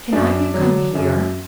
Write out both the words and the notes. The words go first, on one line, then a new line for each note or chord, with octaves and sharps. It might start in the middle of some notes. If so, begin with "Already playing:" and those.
Cannot you come here?
F#2 D4
D3 F#3
F#2